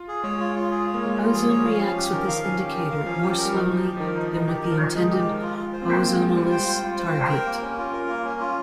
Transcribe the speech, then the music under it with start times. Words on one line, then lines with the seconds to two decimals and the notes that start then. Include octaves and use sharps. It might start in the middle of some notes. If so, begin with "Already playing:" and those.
Ozone reacts with this indicator more slowly than with the intended ozonolysis target.
Already playing: F4
0.08 G#4
0.23 G#3 C#5
0.40 F4
0.55 F4
0.71 G#4
0.87 C#5
0.94 A#3
1.02 G#3 F4
1.18 G3 F4
1.34 F3 G#4
1.49 C#5
1.65 F3 F5
1.80 C#4
1.96 G4
2.12 D#3 A#4
2.28 F5
2.43 C#4
2.59 G4
2.75 A#4
2.91 F5
3.06 F3 C#4
3.23 G4
3.38 A#4
3.45 G3
3.53 F3 D#4
3.69 D#4
3.85 G4
3.97 F3
4.00 D#3 A#4
4.17 D#4
4.32 D#4
4.48 D#3 G4
4.64 A#4
4.72 F3
4.79 D#4
4.95 G#3 D#4
5.11 G4
5.26 A#4
5.42 F4
5.57 F4
5.73 C5
5.82 C4
5.89 A#3 G5
6.05 F4
6.13 G#3
6.21 F4
6.36 G3 C5
6.52 G5
6.67 F4
6.83 F4
6.99 C5
7.14 G5
7.30 A#4
7.46 A#3
7.61 C#4
7.78 F4
7.93 A#4
8.09 A#3
8.24 C#4
8.41 F4